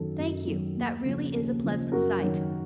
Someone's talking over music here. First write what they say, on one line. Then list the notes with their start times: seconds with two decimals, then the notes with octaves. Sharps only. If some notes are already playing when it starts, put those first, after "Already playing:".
Thank you, that really is a pleasant sight.
Already playing: F#2 D#3 F#3 A4
0.19 F#2
0.47 D#3 F#3
0.77 D#2
1.05 C#3 F3
1.34 D#2
1.64 C#3 F3
1.92 F#2 F#4 A#4
2.21 D#3 F#3